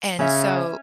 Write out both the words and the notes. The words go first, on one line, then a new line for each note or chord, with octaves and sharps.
and so
C#3 C#4 E5